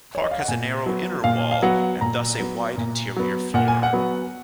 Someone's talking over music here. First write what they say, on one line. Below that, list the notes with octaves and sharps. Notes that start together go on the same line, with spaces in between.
Clark has a narrow inner wall, and thus a wide interior floor.
C#5
D#5
F5
F#5
A#2 G#5
F#3 B3
A#2 F5
F5
F#3 B3 F#5
A#2 A#5
F#3 B3
A#2
F#3 B3
A#2 F#5
G#5
F#5
F#3 B3